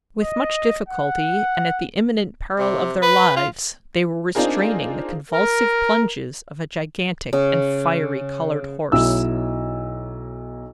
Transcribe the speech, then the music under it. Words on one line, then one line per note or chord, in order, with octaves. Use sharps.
With much difficulty, and at the imminent peril of their lives, they were restraining the convulsive plunges of a gigantic and fiery-colored horse.
D#5
F#5
C3
B4
F4
C4 D4 D#4 F4 G#4 A#4
A#4
C#3
B1 F#3 E4 E6